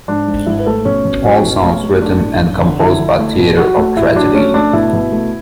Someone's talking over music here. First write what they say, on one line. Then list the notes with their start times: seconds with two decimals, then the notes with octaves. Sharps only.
All songs written and composed by Theatre of Tragedy.
0.08 G#2 D4
0.28 G#2
0.46 G#2 E4
0.58 B4
0.66 A3 A4
0.85 B2 C#4
1.05 B2
1.25 F#3
1.44 B2
1.63 A3
1.83 A3
2.02 A3 D4
2.22 A2
2.41 F#2
2.60 D3
2.80 D3 E4
2.99 D3
3.18 A3
3.38 B2
3.57 F#3 F#4
3.77 A3
3.96 A2 E4
4.15 F#3 D4
4.35 A3 C#4
4.54 A3 D4
4.73 B2 E4
4.93 B2
5.12 A3